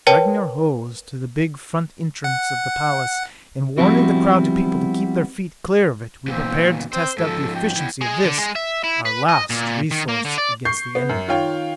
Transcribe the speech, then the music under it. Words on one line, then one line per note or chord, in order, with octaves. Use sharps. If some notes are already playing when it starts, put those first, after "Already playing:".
Dragging our hose to the big front entrance of the palace, and warning the crowded people to keep their feet clear of it, we prepared to test out the efficiency of this, our last resource against the enemy.
A#4 B4 C#5 G5 A5
F#5
F3 G3 B3 C4 E4 F#4
E2 A#2 C4
C4 C5
G#2 F3 A4
G5
E2 E3
G#3
D3
G#3
E5
E4
B4
D#5
A#2
D#3
A#3
D3
D5
C#6 G6 C7
B3
F#2
D#3 F4 C#5 F5 G5